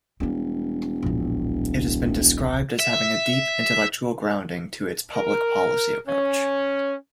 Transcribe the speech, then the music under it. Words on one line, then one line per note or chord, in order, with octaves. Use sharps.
It has been described as having a deep intellectual grounding to its public-policy approach.
E1 G3 C#4
D1 A#1
E5
A#4
C#4